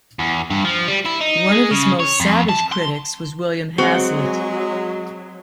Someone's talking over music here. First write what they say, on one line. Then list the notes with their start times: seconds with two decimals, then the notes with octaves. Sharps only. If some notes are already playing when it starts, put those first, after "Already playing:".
One of his most savage critics was William Hazlitt.
0.19 E2
0.50 G2
0.65 F3
0.88 G3
1.06 E4
1.21 D#4
1.52 G#3
1.71 C#3
2.00 C#5
2.20 F2
2.49 A5
2.72 C6
3.78 F#3 G#3 C4 F#4 F#5